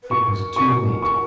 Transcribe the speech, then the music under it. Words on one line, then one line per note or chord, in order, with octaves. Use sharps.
It was too late.
B4
A#4 C#6
C#6
C#6